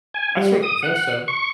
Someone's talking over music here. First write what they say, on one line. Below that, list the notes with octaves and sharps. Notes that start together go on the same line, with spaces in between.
I certainly think so.
G#5
G3
D#6
F#5
C#6